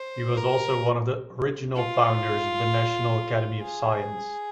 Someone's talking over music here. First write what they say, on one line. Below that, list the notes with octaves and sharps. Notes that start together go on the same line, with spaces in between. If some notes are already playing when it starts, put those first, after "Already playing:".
He was also one of the original founders of the National Academy of Science.
Already playing: C5
A#4
F4
G#4